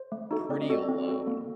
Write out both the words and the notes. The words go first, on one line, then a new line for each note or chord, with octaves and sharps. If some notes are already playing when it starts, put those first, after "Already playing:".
pretty alone.
Already playing: C5
A3
D#4 F#4 A4
C4 D5
D#5
F#4 A4 D5
C4
F#4 A4
A#3